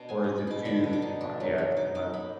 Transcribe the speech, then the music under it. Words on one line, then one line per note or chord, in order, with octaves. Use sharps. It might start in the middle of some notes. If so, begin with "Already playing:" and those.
Or is it too qu yeah. It's too much.
Already playing: B2 D4
G#3 G#5
D#4 A#5
B5
B2 D6
D3 B5
D3
D6
D#4
D4
F#3
F#3
D#4 D6
D#4 D6
A#3 B5